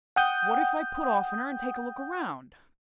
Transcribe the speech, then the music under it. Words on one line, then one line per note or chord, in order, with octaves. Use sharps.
'What if I put off in her and take a look round?
F#5 G5 D#6 G6